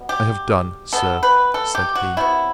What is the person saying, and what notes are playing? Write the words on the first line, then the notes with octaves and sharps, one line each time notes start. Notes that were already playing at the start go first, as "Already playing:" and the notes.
I have done, Sir, said he.
Already playing: B2 G3 B3
G4
B2 F#3 B3 A4
B4
A4
G4
F#4
C3 F#3 B3 E4